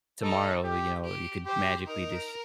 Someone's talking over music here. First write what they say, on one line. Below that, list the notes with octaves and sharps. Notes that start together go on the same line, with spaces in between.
tomorrow, you know, you could magically just
D#4 A4
G4
G4
G4 C5
D#4 A#4